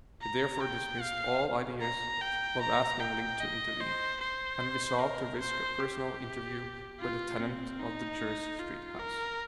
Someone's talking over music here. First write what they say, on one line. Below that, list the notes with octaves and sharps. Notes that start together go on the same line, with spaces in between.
He therefore dismissed all ideas of asking Link to intervene, and resolved to risk a personal interview with the tenant of the Jersey Street house.
A#5
G5
F5
A#5
G5
A#5
G5
D#5
C5
C5
A#4
C5
G4
F4
C4
D#4
F4
A#4